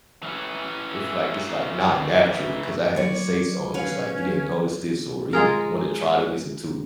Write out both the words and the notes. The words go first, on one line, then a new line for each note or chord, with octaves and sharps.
If like it's like not natural because I had to say something, it's like, you didn't notice this or even wanna try to listen to
E3 C#4
F#3 C#5 D5
C#4 B4 C#5 F5
G#3 F4 G#4 A#4